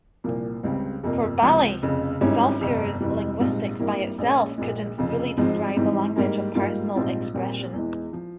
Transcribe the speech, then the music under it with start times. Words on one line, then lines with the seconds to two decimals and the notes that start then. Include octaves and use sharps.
For Bally, Saussure's linguistics by itself couldn't fully describe the language of personal expression.
0.24 C2 A#2 F3 A#3
0.63 C#2 C#3 G3 C4
1.03 G1 F2 C3 F3 A#3
1.42 C#2 C3 F3 C4
1.82 F1 F2 C#3
2.21 G#1 G#2 G3 C#4 E4
2.61 G1 F2 C3
3.01 F1 F2 E3 G3
3.40 A#1 G#2 G3 C4 F4
3.79 G#1 G2 G3 A#3 E4
4.18 A#1 A#2 G#3 C#4
4.58 A#1 A#2 G#3
4.98 F1 F2 C#3 F3
5.37 G#1 G#2 F3 G#3 C4
5.77 G#2 E3 G3 C4
6.16 G#2 G3 A#3
6.55 G#2 G3 A#3 F4
6.95 A#1 G#2 G3 C4 F4
7.34 A#1 A#2 G3 C4
7.73 E2 E3 G#3
8.13 F3